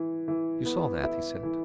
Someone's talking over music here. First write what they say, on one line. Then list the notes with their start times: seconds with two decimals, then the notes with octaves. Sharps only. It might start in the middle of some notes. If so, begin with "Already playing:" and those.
"You saw that?" he said.
Already playing: E3
0.28 E3
0.65 B3
1.04 E4
1.43 E3